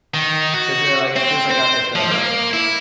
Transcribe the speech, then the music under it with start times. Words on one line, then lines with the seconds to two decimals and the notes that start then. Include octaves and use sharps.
'cause, eh, like, it feels like, uh it's um
0.14 D#3
0.54 F#4
1.16 C4
1.51 C5
1.95 F3
2.11 A#3
2.53 E4